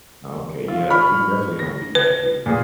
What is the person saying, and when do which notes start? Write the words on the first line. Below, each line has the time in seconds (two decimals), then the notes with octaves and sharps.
Oh, okay. Yeah. We definitely don't do that here.
0.68 F4
0.90 B5 C#6 F6
1.59 A#6
1.95 B4
2.46 A#2 G#4